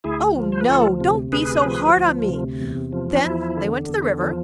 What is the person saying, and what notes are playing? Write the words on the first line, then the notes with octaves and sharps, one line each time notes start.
'Oh, no! Don't be so hard on me!' Then they went to the river.
D2 E4 G#4
F3
C5
B4
D2 F4 A4
C3
D2 G#4 B4
F3
D2
C3
E2
F3
D4
E2 E4
D3
E2
F3